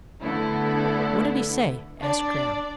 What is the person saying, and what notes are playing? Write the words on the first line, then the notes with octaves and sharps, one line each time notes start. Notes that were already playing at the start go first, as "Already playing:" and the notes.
"What did he say?" asked Graham.
D3 A3 B3 D4 E4 A4
D4 D5